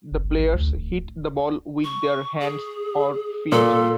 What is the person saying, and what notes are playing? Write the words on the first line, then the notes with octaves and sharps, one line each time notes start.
The players hit the ball with their hands or feet.
F#1
G1
A1
D2
D1
C#6
G#4
A#2 A4